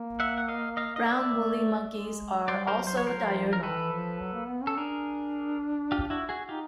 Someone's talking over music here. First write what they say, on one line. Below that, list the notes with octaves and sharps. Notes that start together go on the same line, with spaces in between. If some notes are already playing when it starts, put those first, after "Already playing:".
Brown woolly monkeys are also diurnal.
Already playing: A#3
E5 F#5
F#5
D#5 F5
D#5 F5
D#5
D5 E5
A3
G#3
G3 C5 D5
A#4 C5
F#3
C5
C#5
F3 A#4 C5
F#3
F3
A#4
E3 A4 B4
F3
F#3
A#3
B3
C#4 A4
D4 G#4 A#4
F4 G4
E4 F#4
F#4 G#4
D#4 F4 G4